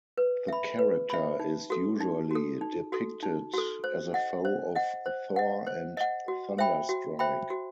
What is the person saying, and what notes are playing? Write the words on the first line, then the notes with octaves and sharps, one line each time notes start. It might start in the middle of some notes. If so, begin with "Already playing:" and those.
The character is usually depicted as a foe of Thor and Thunderstrike.
B4
E5 B5
B4
E5 B5
D#4
F#4 A4
D#4
F#4 A4
D#4
F#4 A4
D#4
F#4 A4
C5
D#5 F#5
C5
D#5 F#5
C5
D#5 F#5
C5
D#5 F#5
F#4
C5 E5 G5 B5
F#4
C5 E5 G5 B5
F#4